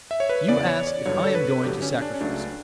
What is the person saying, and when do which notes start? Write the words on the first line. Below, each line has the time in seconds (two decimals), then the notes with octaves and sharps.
You ask if I am going to sacrifice you.
0.11 E5
0.20 C#5
0.29 B4
0.48 E2 C#3 E3 B3 D5
0.67 C#5
0.87 D5
1.05 G1 G2 D3 F#3 C#5
1.25 A4
1.35 B4
1.63 G1 G2 D3 F#3 G4
1.82 C#4
2.02 D4
2.14 C#4
2.20 C#2 C#3 F#3 A3 D4